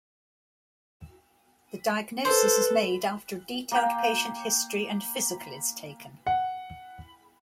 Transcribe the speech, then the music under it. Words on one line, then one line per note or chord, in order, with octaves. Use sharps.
The diagnosis is made after a detailed patient history and physical is taken.
A4 B4 C5
A#3 G5
F#5